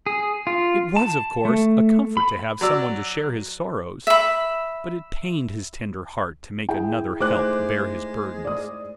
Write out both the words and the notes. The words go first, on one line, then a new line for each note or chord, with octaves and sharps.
It was, of course, a comfort to have some one to share his sorrows; but it pained his tender heart to make another help bear his burdens.
G#4
F4
A5
A3
B5
F#3 D5 E6
E5 B5
E4 G#4 G5
G#3 A3 D#4 C5 D6 F#6
D5 D#6